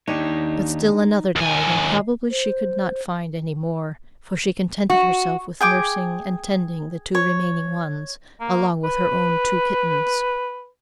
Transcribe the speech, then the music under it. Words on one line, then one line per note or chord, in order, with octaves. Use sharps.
But still another died, and probably she could not find any more, for she contented herself with nursing, and tending the two remaining ones, along with her own two kittens.
D#2 D4 D#4 G4 C#5
D#2 G#5
C5
F#4
G#4 G5 D6
C#5
A#3
B4